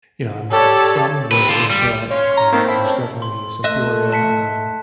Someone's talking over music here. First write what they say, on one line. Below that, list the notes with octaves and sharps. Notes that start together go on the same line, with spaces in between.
you know, I'm not from there, but, uh, there's definitely some Peoria, um,
G4 A4 C#5 D5
C3 B4
D3 F4
G3
C#4 C#5 F5 C6
A#5
D#3 A3 A#3 C4
E4 A4
A#3 C#4 A4
C6
A3 D#5 E5 F#6
A5 B6 C#7